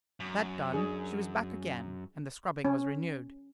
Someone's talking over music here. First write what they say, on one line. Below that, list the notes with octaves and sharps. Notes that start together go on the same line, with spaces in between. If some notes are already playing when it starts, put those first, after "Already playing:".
That done, she was back again, and the scrubbing was renewed.
F#2
D4 G#4
C#4